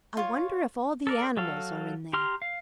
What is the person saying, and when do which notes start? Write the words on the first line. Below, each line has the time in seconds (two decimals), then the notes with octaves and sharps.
"I wonder if all the animals are in there."
0.17 F4 C#5
1.07 A4 A#4 D5
1.37 F#3 A4 F5
2.13 G4 A#5 C6 F6
2.42 F5